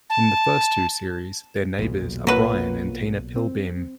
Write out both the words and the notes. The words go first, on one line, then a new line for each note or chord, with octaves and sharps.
In the first two series, their neighbours are Brian and Tina Pillbeam.
A5
B1 E2 A#2
F#3 A#3 F4 B4
C4